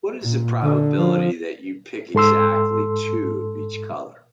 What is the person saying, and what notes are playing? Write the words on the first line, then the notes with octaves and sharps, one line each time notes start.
What is the probability that you pick exactly two of each color?
A#2
D3
F3
G#2 A4 C6 E6